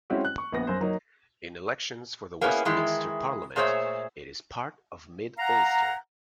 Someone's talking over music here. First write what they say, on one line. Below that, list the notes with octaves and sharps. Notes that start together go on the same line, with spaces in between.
In elections for the Westminster Parliament it is part of Mid Ulster.
G#3 C4 C#4 E4 F#4 G4
F#6
C#6
A#1 B3 A#6
F#2 C5
F#3 A#3 D#4
A#3 B3 C#4 E4 G4 G#4
D#3 E3 G#3 E4
A#2 A3 G#4 C5 C#5 E5
F5 F#5 A#5